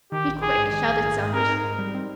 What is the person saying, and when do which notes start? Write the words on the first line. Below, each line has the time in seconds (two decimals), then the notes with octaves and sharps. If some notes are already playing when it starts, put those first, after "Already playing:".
"Be quick!" shouted Saunders.
0.12 D#3 G4
0.27 A#1
0.42 A#1 G#4
0.58 G#2
0.72 D#3 G#4
0.88 A#1
1.03 A#1
1.19 G#2
1.33 C4 A#4
1.48 D#4
1.64 G#2
1.79 G3
1.94 C4